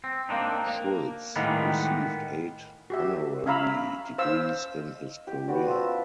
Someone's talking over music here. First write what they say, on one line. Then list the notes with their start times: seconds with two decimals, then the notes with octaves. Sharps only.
Schultz received eight honorary degrees in his career.
0.04 C4
0.29 A#3 C4 D4 D#4
0.67 A#3
1.36 A2 D#3 G3 G#3 A#3 B3
2.90 F#4 G4 E5
3.46 C#4 E5 F5 A#5 B5 E6
4.18 C5 F5 E6
4.78 D#5
5.27 G4
5.48 B3 C#4 F#4 D5
5.66 F3 E5